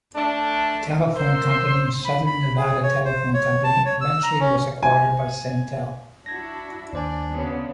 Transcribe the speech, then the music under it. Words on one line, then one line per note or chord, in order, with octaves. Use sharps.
The telephone company, Southern Nevada Telephone Company, eventually was acquired by Centel.
A3 D4
A#4 C5 C6 E6
B5
B5
G#4
C#5
C5
C#5
A5
C#5
E6
A#5
C#4
G#5
D4 E4 F#4 G#6 A#6
D#2 D4 C5 D5 G#5
D2 C#3 B3